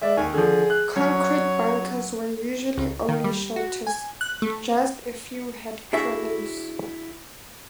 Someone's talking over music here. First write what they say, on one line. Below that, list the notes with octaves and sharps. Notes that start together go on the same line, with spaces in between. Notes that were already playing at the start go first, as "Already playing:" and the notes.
Concrete bunkers were usually only shelters; just a few had crenels.
G#3 D5 E5
D#2 G#5
D3 F3 G#4
F#6
F#3 C#4 C#5
C#2
D#3
G3
F#4
G#5
F#6
A3
D4 E4 F#4 G#4 E5